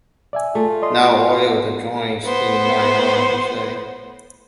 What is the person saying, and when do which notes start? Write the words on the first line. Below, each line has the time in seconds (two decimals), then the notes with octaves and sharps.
"Now oil the joints in my arms," he said.
0.33 D5 E5 G#5
0.55 A3 F4
0.82 D5 D#5 C6
2.24 B3 C5